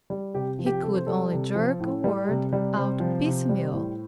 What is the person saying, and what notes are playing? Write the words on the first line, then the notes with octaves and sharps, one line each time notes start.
He could only jerk a word out piecemeal.
G3
C3 G4
F3
G4
C3 A4
C5
G3 A4
C3
F3
A2
G3
C3
G3
C3 C5
F3
C3
G3
A2